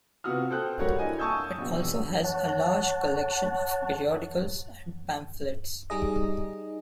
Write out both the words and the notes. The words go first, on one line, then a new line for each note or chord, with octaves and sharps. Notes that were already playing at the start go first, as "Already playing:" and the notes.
It also has a large collection of periodicals and pamphlets.
C3 B3 F4 F#4 D#6 F6
A4 C5 G5 F#6
G3 A3 F#4 A#4 C#5
D4 E4 D#5 G#5
G#5 A5 C#6 D#6 E6 G6
A#1 B2
C#5 F#5 A5
G3 D#4 G#4 D#5